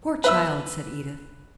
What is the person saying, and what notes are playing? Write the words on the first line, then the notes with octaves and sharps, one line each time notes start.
'Poor child!' said Edith.
B4 E5 E6